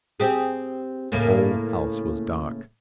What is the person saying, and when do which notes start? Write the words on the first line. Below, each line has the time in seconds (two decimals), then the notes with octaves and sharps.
The whole house was dark.
0.20 C4 G4 G#4
1.12 A2 C#3 A#3